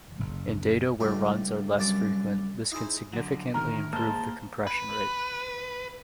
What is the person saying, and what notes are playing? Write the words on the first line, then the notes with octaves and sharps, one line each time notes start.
In data where runs are less frequent, this can significantly improve the compression rate.
F#1
C#2 D3 G3 A3
C2 F#2 D4 A5 D6
D#4 E4 G#4 C5
D3 F#3
A2 D3 D#3 A#4 A#5 F6
G#3 A#3 C5 A5
B4